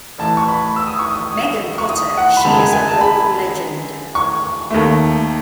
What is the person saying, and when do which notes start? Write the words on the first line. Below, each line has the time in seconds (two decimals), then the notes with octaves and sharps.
Megan Potter, she is a local legend.
0.18 A1 A2 E3 A5
0.37 C#6
0.48 B5
0.76 E6
0.87 D#6
0.99 C#6
1.11 D#6
1.78 C#6
1.89 D#6
2.17 F#5
2.37 B5
2.45 F#2 C#3 G#3 D#4 A5
2.59 G#5
2.73 G#5
2.88 A5
3.01 B5
4.15 C#6
4.70 D#2 D#3 A3